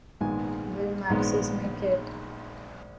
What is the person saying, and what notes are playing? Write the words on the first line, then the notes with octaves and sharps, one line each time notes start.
Will maxis make it?
A#1 G#2 D#3 G#3 B3 G#5
A#1 G#2 D#3 G#3 B3